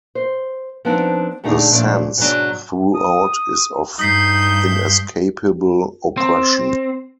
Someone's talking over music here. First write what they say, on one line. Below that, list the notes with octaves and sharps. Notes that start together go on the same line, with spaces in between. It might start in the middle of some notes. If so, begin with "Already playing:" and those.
The sense throughout is of inescapable oppression.
C5
F3 B3 C4 D4 D#4
A#2 D3 A3 D4 D#4 G#4
A#2 F3 A3 C4 D4
G#2 B2 D3 F#3 D4
D#6
G2 D#4 D#6 G6 B6 C7
C4